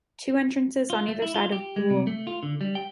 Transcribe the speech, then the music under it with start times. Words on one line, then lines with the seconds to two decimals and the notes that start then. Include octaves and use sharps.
Two entrances on either side of boul.
0.90 F4
1.08 A3
1.22 E4
1.34 F4
1.52 G4
1.76 G#3
1.90 C3
2.07 A3
2.27 F4
2.43 D3
2.61 G3
2.75 G5